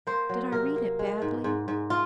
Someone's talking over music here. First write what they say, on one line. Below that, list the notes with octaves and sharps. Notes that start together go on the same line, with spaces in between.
Did I read it badly?
A#3 C5
F#3
C3 A#4
A#3
G#3
G#2
G#2
G#2
F4